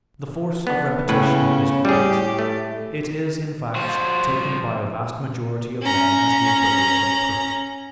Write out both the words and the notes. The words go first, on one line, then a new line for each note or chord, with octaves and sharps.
The force of repetition is great; it is, in fact, taken by a vast majority of men as the equivalent of proof.
B3 D4
A2 C#3 B3 C#4 B4
A2 G3 G4 G#4
A3
F2 F3 F4 F#4 C5
C#4 A#5